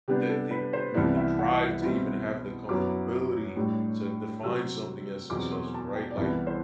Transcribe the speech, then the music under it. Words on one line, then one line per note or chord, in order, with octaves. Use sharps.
the the, I mean, the drive to even have the comfortability to define something as successful, right, like,
C3 G3 B3 D4 G4
A4
B4
C5
C2 C3 E3 B3 E4 D5
E5
F#5
B2 G3 C4 E4
F#2 F#3 B3 E4 D6
A2 G3 D4
C3 F#3 C4 E6
E2 B2 F#3 C4 D6
C6
A5
G5
D5
C2 C3 E3 B3 E5
C5